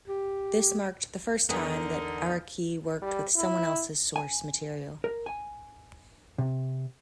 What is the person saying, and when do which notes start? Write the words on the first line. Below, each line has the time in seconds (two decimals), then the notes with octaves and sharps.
This marked the first time that Araki worked with someone else's source material.
0.08 G4
1.49 E2 D3 B3 D#4 G#4 A#4
3.02 G3
3.36 E4
4.16 G#5
5.04 A#4
5.26 G#5
6.38 C3